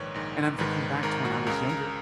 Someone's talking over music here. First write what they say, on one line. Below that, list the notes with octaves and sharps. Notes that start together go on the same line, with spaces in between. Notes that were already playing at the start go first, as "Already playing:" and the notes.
and I'm thinking back to when I was younger,
Already playing: A#1 G#2 D#3 B4 C#5
A#1 G#2 D#3
G#1 G#2 D#3 B4
G#1 G#2 D#3 A#4
F#4
C#2 C#3 A#4
A#4